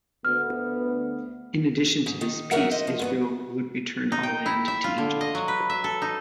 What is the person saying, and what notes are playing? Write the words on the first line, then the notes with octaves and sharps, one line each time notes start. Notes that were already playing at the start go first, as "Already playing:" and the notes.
In addition to this peace, Israel would return all land to Egypt.
D2 B3 F6
G#2
D#3 D#4
F#3 D#4 A#4 E5 F#5
C5 D#5
F3
G2 B3 F#4
D#4
G5
E4
E5
F4
D3
D#5
F#3
B4
E5
A4
D#4